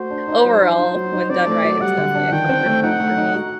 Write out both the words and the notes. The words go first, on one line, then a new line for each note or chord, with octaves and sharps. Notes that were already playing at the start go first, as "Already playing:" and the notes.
overall, when done right, it's definitely a comfort food for me.
Already playing: A3 F#4 C5
D4
D#4
F#3
D#4
D#4
F#3
D#4
C4 D5
A3
F#3
G3 F#5
D3
D4
D#3 G5
C4
A3
D#4 F#5
A3
D#4
F#4